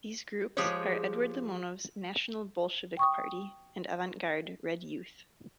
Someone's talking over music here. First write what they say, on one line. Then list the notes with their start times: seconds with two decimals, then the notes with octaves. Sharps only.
These groups are Eduard Limonov's National Bolshevik Party and Avant Garde Red Youth.
0.57 F3 G#3 G4 G#4 C5 C#5
2.97 G5 C#6 D#6